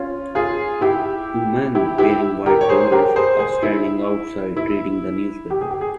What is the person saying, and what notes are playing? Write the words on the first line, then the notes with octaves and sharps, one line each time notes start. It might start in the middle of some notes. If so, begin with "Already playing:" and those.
Two men, wearing white polos, are standing outside reading the newspaper.
Already playing: C#4 F4
F4 G#4
E4 G4
E4 G4
E4 G4
G4 A#4
C#5
G#4 C5
C5
G4 A#4
G#4 C5
G#4 C5
E4
E4
G4
G#4
G4
G#4